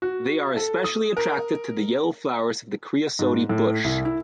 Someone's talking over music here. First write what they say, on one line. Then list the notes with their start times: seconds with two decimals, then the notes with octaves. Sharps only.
They are especially attracted to the yellow flowers of the creosote bush.
0.02 F#4
0.57 A4
0.84 D#6
1.17 A#4
3.19 G#2
3.49 A2
3.84 C2
4.05 E4